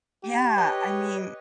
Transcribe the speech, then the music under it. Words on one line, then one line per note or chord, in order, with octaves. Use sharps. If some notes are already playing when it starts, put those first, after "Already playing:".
Yeah, I mean,
G4
B4 C#5 D#5